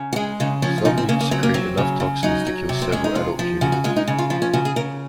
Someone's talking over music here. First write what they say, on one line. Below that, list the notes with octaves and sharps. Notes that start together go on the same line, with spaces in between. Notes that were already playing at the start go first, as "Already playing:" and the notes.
Some newts secrete enough toxins to kill several adult humans.
Already playing: C#3
F#4
G#3 G#4
C#3 D#4
F3 C#4
F4
C#3 D#4
C4
C#3 A#3
A#3
F#3 C4
A#3
F#3 C4
C#3
C#3
F#3 D#4
F#3
C3
C4
G#3 C#4
D#4
C3 F4
F3
C#3 F#4
F#4
G#3 F4
D#4
C#3
F4
F3 F4
C#4
C#3 F#4
G#4
C#3 A#4